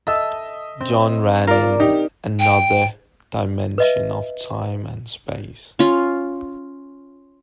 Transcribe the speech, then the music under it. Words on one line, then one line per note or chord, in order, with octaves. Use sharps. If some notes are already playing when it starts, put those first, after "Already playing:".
John ran in another dimension of time and space.
A4 D#5 E5 E6
C4
F4 A#4 D5
D#4 G4
G5
B4 D#5 E5
C#4 F4